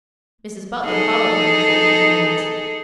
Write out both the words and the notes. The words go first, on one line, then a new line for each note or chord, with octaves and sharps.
Mrs. Butler followed him after a few moments.
D#4 G#4 A4